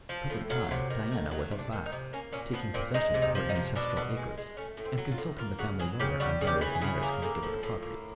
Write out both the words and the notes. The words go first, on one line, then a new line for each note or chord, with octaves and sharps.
At the present time Diana was at Bath, taking possession of her ancestral acres, and consulting the family lawyer on various matters connected with the property.
F3
A2
F#3 F4
C3
D#3
A3
F#3 D#4
C3
D4
D#3
D#4
C3
A#3 C#4
A#2 C#4
F3 B3
A#2 C4
G#3 D#4
C3
D#4
F3
D#4
C3
B2 D4
B2
G#3
G#3
A3 C#4
A2
C4
F#3
F4
A2
A#3 F4
C#3 F#4
F#3 G#4
C#3 G4
G3 F#4
C#3
G4
E3
G#4
C#3
A#3
A2
F3
A2
A#3